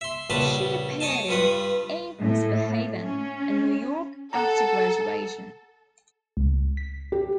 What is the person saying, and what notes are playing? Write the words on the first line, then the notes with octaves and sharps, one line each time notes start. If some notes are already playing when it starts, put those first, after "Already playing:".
She appeared in "Ain't Misbehavin" in New York after graduation.
E5 C6
A#1 C#3 G3 B4 A5 C6
C#5 D#5 G#5 A5
G2 G3 F4 B4 D#6
A2
C#4
A4 F#5 A#5
C#2
B6
G4